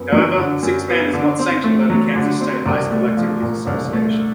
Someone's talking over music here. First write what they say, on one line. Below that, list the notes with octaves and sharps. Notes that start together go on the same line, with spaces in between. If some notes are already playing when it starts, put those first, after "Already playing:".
However, six-man is not sanctioned by the Kansas State High School Activities Association.
Already playing: F#2 B3
F#3
D3
F#2
B3
D3
C4
A3
F#3
D3
C4
C2
A3
F3
A#2
C2
A3